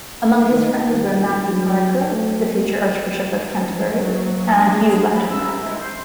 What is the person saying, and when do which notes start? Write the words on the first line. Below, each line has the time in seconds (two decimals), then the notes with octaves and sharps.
Among his friends were Matthew Parker, the future Archbishop of Canterbury, and Hugh Latimer.
0.50 D#3
1.06 E1
1.47 F#3
2.11 A3
2.44 B3
3.89 F#3 A#3
4.36 D4 G#4
5.13 F3 G#4 A4 B4 B5
5.30 E6
5.44 A#3 C#4 D4 G4 A#4
5.61 G#2 G#3 C4 D#4 E4
5.79 C5